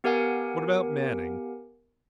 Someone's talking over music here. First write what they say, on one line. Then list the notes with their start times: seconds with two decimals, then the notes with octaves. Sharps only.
"What about Manning?"
0.04 B3 G4 A#4 F5 F#5 G#5